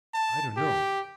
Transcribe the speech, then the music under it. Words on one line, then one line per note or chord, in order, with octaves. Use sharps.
"I don't know."
A5
G4